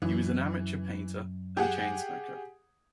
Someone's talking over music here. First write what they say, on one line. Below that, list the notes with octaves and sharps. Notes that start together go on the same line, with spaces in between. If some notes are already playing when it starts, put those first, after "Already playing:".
He was an amateur painter and a chain smoker.
F#2 E3
G4 G#4 F#5